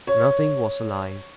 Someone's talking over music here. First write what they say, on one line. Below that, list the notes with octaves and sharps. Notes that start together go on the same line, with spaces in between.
Nothing was alive.
C#5